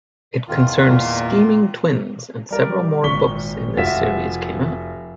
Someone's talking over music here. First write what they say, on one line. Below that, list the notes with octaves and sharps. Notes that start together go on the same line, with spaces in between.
It concerned scheming twins and several more books in this series came out.
E2 D#3 F4
A#2
G3 A#4 D5
G#1 A#2 C#6 B6 G7
F1 F4 F#4 E5 B6 E7